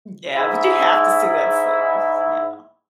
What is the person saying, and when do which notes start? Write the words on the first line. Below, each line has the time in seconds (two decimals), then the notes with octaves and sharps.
yeah, but you have to see that scene, yeah.
0.34 G#2 E4